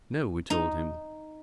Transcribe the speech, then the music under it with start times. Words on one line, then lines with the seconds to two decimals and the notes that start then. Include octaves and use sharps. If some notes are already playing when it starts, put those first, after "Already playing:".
"No," we told him.
0.50 D#4